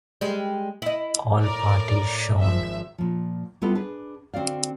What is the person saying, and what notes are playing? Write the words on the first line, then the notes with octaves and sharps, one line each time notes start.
All parties shown.
G3 G#3
E4 D#5
A2 A#4 D5
G#1 F3 E5
A#2 F3
G3 B3 E4 F4 A4 B4
D4 G#4 B4
D3 C4 F#4 D5 F5